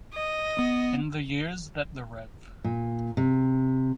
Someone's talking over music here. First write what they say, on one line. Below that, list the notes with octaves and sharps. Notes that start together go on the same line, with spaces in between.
In the years that the Rev.
D#5
B3
A#2
C3